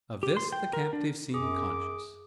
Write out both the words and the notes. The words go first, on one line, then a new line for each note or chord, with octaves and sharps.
Of this the captive seemed conscious.
G4
C6
G5
A#4
D4
F#2 G#4 D6